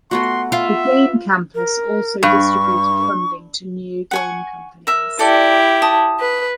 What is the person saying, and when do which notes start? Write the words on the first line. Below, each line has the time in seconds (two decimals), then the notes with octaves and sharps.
The game campus also distributed funding to new game companies.
0.11 A3 B3 F#4 F#5 C6
0.52 F4 E5 F5
1.55 A#4
2.23 G2 C#6
4.11 F#5 G#5 C#6
4.87 A#4 E5
5.19 E4 G4 A4 D5
5.82 A5 D#6
6.20 B4